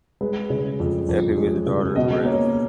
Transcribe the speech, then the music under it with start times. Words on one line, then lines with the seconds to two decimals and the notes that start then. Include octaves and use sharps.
Effie was the daughter of the Rev.
0.21 G#3 B4
0.50 C#3
0.80 F2
1.09 F2
1.37 G#3
1.66 C#3
1.96 B2 D#5
2.25 A#3 C#5